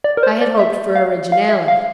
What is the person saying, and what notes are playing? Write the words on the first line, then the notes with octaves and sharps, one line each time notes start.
I had hoped for originality.
D5
A#4
C5
D5
E5
F5
F5
E5
F5